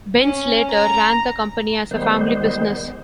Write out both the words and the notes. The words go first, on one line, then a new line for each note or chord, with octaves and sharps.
Bentz later ran the company as a family business.
C#4
A#5
D#3 G3 G#3 B3 C5